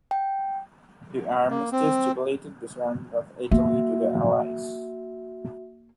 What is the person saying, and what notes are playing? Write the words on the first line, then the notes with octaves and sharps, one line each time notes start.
The armistice stipulated the surrender of Italy to the Allies.
G5
A#3
C4
A#3 F#4 E5